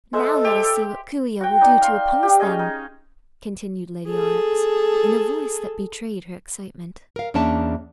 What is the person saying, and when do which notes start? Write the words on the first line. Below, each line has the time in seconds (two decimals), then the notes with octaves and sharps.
"Now let us see what Coo-ee-oh will do to oppose them," continued Lady Aurex, in a voice that betrayed her excitement.
0.13 G#3 A4 C5 E5
0.45 G4
1.41 F#4 G5
1.61 D#4 D5
1.82 F5 C6
2.23 G4
2.40 C#4 F4 G#4 D#5
2.59 D#4
4.09 G#4 A4
7.16 A#4 F5
7.34 E2 A#3 C#4 D4 E5 A5